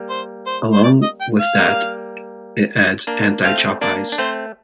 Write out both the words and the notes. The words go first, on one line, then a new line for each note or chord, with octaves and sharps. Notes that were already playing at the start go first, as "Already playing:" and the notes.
Along with that it adds anti-chop eyes.
Already playing: G3 A#3
C5
C5
C5
D5
D#5
G5
F5
G3 A#3
A#3 D4
A3 C4 F5
A#3 D4 D5
D4
A3 C4 C5